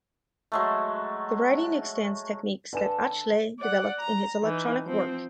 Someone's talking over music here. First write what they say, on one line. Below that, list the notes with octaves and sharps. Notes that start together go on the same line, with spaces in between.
The writing extends techniques that Atchley developed in his electronic work.
F#3 G#3 A3
D3 A4 B4 G#5 E7
D5 F#5
A#5
E3 D#4
F3 C4